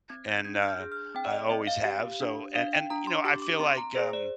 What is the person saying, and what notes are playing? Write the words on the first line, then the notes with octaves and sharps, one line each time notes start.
and, uh, I always have, so and and, you know, I feel like, um,
C4 G#6
G6
D4 G#6
F6
G6
G#4
F6
C4 G5
D5
D#5
C4 D#5
F5
G4
D4
D4 F5
G5
D4 A#5
C6
G4 D6
D6
C4 C6
A#5
G#4 C5
D5